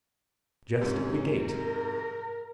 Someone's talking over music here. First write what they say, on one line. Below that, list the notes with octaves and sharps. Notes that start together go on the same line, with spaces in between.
Just at the gate.
G#2 C3 C#4
A#4